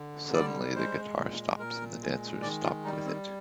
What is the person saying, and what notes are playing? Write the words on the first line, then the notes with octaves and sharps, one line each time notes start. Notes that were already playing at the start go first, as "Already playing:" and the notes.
Suddenly the guitar stops and the dancers stop with it.
Already playing: D3
G3 D5
G#3 C5
A#2
A#2 A#4
G#3
D#3 D5
F4
G3 D#4
C4